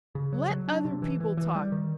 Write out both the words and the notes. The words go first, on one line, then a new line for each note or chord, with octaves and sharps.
Let other people talk.
C#3
F#3
F#3
D4
C3
E3
E3
E3
G3
D#3